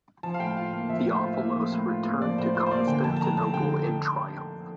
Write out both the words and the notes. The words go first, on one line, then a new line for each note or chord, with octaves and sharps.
Theophilos returned to Constantinople in triumph.
F3 A5
F5
A2 G5
F4 F5
A#3 F5
F3 E5
A2
C5
F4
E5
A#3
F3
A2
F4
A#3
F3 D5
A2 C5
F4 C5
C5
A#3 D5
D3 G5
F2 A5
A5
F2 A#5
A3 A5
D3 G5